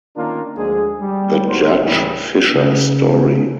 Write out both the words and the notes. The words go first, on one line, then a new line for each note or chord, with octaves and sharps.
The Judge Fisher Story.
D#3 A#3 C#4 D4 F4 A#4
D2 D3 F3 G#3 G#4
G3
G#1 F#4 A#4 C5
D2 A2 C#3 E3 G3
C#3